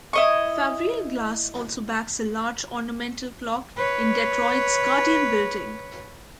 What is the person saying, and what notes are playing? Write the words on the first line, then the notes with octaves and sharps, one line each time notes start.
Favrile glass also backs a large ornamental clock in Detroit's Guardian Building.
E4 D#5 C#6
B4 C#5